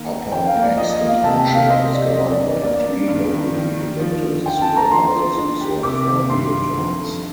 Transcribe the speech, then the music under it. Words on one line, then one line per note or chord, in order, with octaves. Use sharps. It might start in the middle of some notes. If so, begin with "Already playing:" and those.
Upper Paxton Township is governed by three locally elected supervisors who serve four-year terms.
Already playing: D#3 A#3
D#4
F2 G5
F5
A#3
D5
F3 D#5
D#5
A#3
F5
C3 A5
G5
C3
F5
C5 D#5
G4 D5
C4 D#5
D5
G2
D5
A#3 D5
D4
G2
D#3
D#3
D#3
F3
D3
F4 G5
A5
D3
A#5
F3 C6
F3
D4
G4
C3 D6
D#3
G2 C6
G2
F2
A3